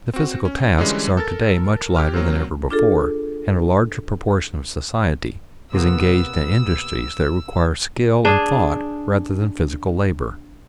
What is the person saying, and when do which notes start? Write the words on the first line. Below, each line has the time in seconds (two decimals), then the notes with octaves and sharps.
The physical tasks are to-day much lighter than ever before, and a larger proportion of society is engaged in industries that require skill and thought rather than physical labor.
0.13 C4 F#4
0.45 C#4
0.78 D3 E3 G3 G#3 C#4
1.17 A4 A#4 A6
1.96 G4 F6
2.14 F#3 A#3 C4
2.70 D4 F4 G#4 A4
5.73 C3 A#3 B3 E6
8.25 D4 G#4